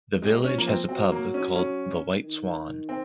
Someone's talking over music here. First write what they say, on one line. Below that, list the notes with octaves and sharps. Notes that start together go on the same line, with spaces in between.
The village has a pub called The White Swan.
C3 G#3
C#4
F3 A#3
C4
F#3 C4
A#3
C#4
C#4
D#3
C4